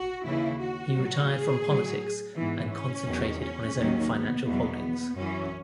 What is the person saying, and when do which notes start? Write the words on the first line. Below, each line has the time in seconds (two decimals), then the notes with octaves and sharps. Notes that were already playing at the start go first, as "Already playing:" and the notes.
He retired from politics and concentrated on his own financial holdings.
Already playing: F#4
0.24 D#2 C#3 E3 E4
0.59 F#4
0.94 A2 F#3
1.29 G#4
1.65 A2 F#3
2.36 G#2 E3 B3
2.71 C#4
3.06 E2 D#3 F#3
3.41 C#4
3.77 D#2 D#3 F#3
4.12 B3
4.46 E2 B2 F#3 B3
5.17 F#2 E3 C#4